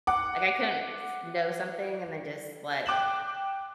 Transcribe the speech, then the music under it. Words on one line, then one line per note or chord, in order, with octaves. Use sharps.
like, I couldn't s know something and then, just, let
F#5 D6
G5 D6 F#6 E7 F#7